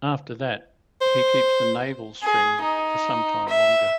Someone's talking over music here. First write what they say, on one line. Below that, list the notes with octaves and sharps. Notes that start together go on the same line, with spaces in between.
After that, he keeps the navel-string for some time longer.
C5
G#4
D#4
E5